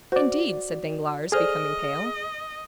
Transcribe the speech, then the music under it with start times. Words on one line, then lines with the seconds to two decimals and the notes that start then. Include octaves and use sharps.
"Indeed?" said Danglars, becoming pale.
0.12 F#4 C5 D5
1.32 G#4 A4 C5 D5 D#5 F6